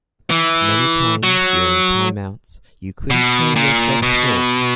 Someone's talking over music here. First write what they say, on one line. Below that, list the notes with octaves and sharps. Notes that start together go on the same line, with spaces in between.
Many times during timeouts you couldn't hear yourself talk.
E3
F#3
B2
A#2
B2